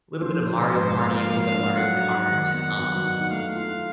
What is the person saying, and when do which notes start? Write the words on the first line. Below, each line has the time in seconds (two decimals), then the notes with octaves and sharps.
little bit of Mario Party, little bit of Mario Karts, um
0.21 F3 C5
0.47 D4
0.73 G#2
0.99 A#3 F5
1.25 F3
1.51 D4
1.76 F#3 F#5
2.02 D#4
2.28 D#3
2.53 B3 F#5
2.79 F#3
3.04 D#4
3.30 A3 F5
3.56 F4